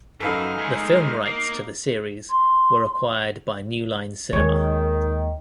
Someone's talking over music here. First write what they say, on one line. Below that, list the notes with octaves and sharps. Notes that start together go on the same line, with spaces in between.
The film rights to the series were acquired by New Line Cinema.
F#2 D#4 A4 B4 F5 F6
G#3 A3
A#3
C6
D#2 D#3 G#3 C#5